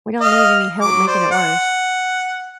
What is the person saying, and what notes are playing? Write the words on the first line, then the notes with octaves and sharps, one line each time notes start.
We don't need any help making it worse.
D#5 F5
F#3 D6
C5 D5
F#5